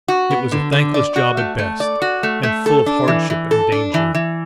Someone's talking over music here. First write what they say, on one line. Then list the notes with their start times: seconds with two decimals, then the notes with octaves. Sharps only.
It was a thankless job at best, and full of hardship and danger.
0.08 F#4
0.31 B3
0.52 D3
0.72 D3
0.94 D5
1.16 F#4
1.37 A3
1.58 A3
1.80 D5
2.02 F#4
2.23 A3
2.43 A3
2.66 A4
2.86 D4
3.08 E3
3.30 E3
3.51 A4
3.72 D4
3.94 E3
4.15 E3